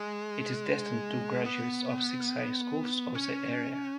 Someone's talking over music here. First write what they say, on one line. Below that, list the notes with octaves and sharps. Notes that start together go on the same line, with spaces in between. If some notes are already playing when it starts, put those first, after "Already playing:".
It is destined to graduates of six high schools of the area.
Already playing: G#3
B3
C#4